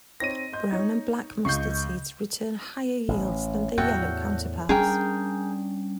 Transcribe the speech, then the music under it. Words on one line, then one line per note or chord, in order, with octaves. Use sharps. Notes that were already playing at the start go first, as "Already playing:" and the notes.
Brown and black mustard seeds return higher yields than their yellow counterparts.
C4 D#4 C#5 A#6 D#7
D#5 C6 G6
D#4 C#5
C#2 D#5 C#6 G6 C7
A1
E2 A2 F#4 A4 G5
G3 C#4 D4 G#4 A#4 G5